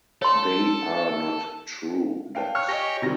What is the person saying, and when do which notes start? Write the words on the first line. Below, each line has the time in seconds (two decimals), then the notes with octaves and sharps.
They are not true ducks.
0.22 A4 C#5 C6
2.35 F5 G5 A5
2.55 C#5 F6
2.68 G4 C#5 D#5 G#5 A#6
3.02 C3 D#3 G3 G#5 A#6